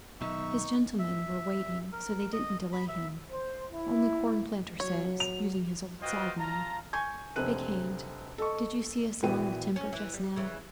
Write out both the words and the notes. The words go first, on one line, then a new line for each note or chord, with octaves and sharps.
'His gentlemen were waiting, so they didn't delay him-, only Cornplanter says, using his old side-name, "Big Hand, did you see us among the timber just now?"
B1 B2 D#3 D#4 E5 C#6
E5
A#4
D#5
B5
E5
C5
E4
F#3 C#5
F7
F4 F#4 B4 C5 D#5 G5
F4 F5 A5 A#5
G#5 C#6 G6 G#6
F1 D2 C4 F#6 D#7
A4 D#5 C#6
A#1 E3 B3 F#4 G5 D#7
C#4
E3
G3
C#3 E3